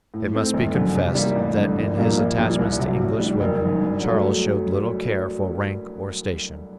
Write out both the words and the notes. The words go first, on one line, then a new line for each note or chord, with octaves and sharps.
It must be confessed that in his attachments to English women Charles showed little care for rank or station.
A2
A3 C4
G1
F#2 D3
C3
G3 A#3
A1
G2 D3
A#1
A#2 G3 A#3
A#1
A#2 G3
C2
C3 F#3
A2
G3 D4
F#1
F#2 D#3
G2
F#3 A3